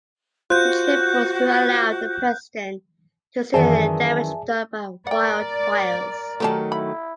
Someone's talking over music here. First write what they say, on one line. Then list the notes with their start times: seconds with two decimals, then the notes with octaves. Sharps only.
The trip was to allow the president to see the damage done by wildfires.
0.50 F4 F#4 C5 F#6 G6
3.54 F#2 D#3 E3 G#4 D5 E5 G#5 A5
5.07 A#4 D5 F#5 G5
6.40 D#3 F#3 A3 C4 G4 A5
6.72 E4 B5